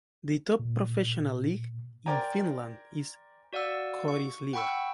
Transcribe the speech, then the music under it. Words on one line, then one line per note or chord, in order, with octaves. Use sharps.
The top professional league in Finland is Korisliiga.
A#2
A#4 C5 D5 G5 G#5 A#5
F#4 D5 F5 F#5 E6
C#6
F#5 G5 B5 C#6 E6